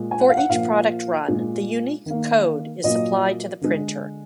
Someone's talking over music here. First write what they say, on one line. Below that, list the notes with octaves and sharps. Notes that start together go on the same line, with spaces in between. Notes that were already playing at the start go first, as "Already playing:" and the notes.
For each product run the unique code is supplied to the printer.
Already playing: A#2 G#3
G#5
F#5
F5
F#5
A#2 F3 A#3 F5
A#2 G#3
D#3 A#3
A#2 F#3 A#3 D#5
D3 G#3